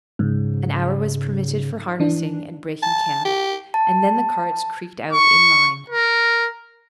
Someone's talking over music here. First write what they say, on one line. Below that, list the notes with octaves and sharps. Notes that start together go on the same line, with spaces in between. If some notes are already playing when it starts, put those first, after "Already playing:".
An hour was permitted for harnessing and breaking camp, and then the carts creaked out in line.
G#2 C#3
E3 D4
A5
G4
A5
C#6
A#4